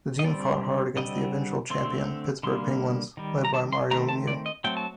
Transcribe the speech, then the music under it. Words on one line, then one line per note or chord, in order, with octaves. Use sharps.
The team fought hard against the eventual champion Pittsburgh Penguins, led by Mario Lemieux.
D#5
D3 G3 C4 D5
D3 G3 C4 D#5
D3 A3 C4 C6
D3 G3 A#3 C6
D#3 G3
A#5
A5
C6
D#3 A3 C4 A#5
A5
D5
D#5
F#3 A3 C4 G5
A5